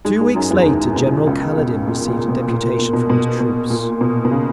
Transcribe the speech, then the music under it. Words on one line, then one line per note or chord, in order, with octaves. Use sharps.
Two weeks later General Kaledin received a deputation from his troops.
G#2 G#3
G#2 G#3
F#2 F#3
E2 E3
D#2 D#3
B2
C#2 C#3
B2
A#2
A#2
B2
A#2
A#2
B2
B2
B2
B2
A#2
B2
B2
C#3